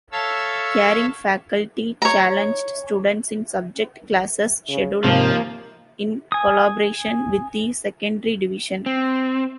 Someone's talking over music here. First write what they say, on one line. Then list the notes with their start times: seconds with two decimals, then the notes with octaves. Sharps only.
Caring faculty challenged students in subject classes scheduled in collaboration with the secondary division.
0.12 A4 C#5 E5 F5 A5 E6
2.02 C#5 A#5
4.69 C#3
5.04 D#2 G#2 C3 F3 A#3
6.32 G#5 D#6
8.86 C4